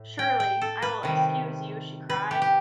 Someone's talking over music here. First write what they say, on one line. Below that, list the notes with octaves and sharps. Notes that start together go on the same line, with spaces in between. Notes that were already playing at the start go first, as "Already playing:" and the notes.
Surely I will excuse you, she cried.
Already playing: A2
G5
G5
A4
B4
C3 D#3 G3
B4
G4
G4